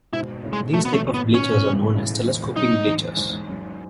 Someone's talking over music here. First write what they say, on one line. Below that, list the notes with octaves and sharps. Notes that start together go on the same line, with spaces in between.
These type of bleachers are known as telescoping bleachers.
G#2 B2 E4
A2 C#3
G#3
B2 D#3 A3
B3
A3
B3
B2 D#3 C#4
C#3 E3
A2 C#3
E2 G#2
F#2 D#4
E2
E2 G#2
F#2